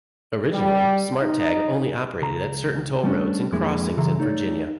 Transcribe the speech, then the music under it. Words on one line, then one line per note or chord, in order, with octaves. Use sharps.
Originally, Smart Tag only operated at certain toll roads and crossings in Virginia.
G3
D#4
C#2 A#5
G3 A3 C#4 D4
F2 G#3 A#3 D4 E4
C#3 E3 A4 E5 A#5 C6
A3 D#4 C#5 D5